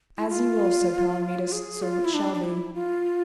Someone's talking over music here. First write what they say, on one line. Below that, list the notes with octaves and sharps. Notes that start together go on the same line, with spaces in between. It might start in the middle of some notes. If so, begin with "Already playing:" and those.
As ye will, said Palomides, so it shall be.
E4
F4
F4
G#4
F4
E4
D4
D4
E4
F4